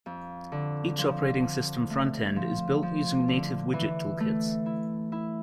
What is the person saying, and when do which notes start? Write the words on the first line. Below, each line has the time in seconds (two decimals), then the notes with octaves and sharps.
Each operating system front-end is built using native widget toolkits.
0.06 F2
0.52 D3
0.98 F3
1.44 D3
1.90 A3
2.36 F3
2.83 F3
3.28 D3
3.73 E3
4.20 A3
4.66 E4
5.12 E4